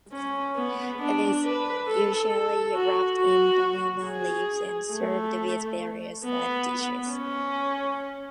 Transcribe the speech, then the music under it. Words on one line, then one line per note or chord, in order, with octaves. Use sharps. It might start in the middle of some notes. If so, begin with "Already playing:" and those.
It is usually wrapped in banana leaves and served with various side dishes.
C#4
B3
D4
B4
A4
A4
F#4
F#4
G#4
A3
B3
C#4